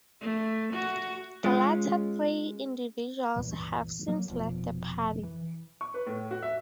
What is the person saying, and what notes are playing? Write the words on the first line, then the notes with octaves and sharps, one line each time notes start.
The latter three individuals have since left the party.
A3
F#4
G#3 C#4 F4
C#2 G2 A#2 E3
F#3 A#3
F1 F2 G#2 B2
E3
C#6
B4
A2
F#4
E5